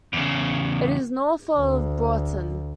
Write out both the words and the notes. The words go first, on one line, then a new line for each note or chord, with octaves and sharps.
It is north of Broughton.
E2 C#3
D2